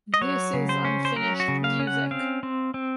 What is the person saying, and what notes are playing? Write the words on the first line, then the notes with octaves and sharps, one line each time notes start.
This is Unfinished Music.
D#5
F#3 C#5
C#3
C5
C#4
C5
F#3 A#4
F#4
C#3
F5
C#4
F#5
C4 F5
C4
C4